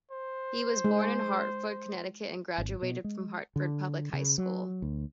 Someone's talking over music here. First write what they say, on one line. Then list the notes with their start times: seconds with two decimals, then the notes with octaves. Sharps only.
He was born in Hartford, Connecticut and graduated from Hartford Public High School.
0.11 C5
0.84 G#3
2.58 G#1
2.82 B2
3.04 G#3
3.56 D3
4.13 C#3
4.38 F#3
4.82 D2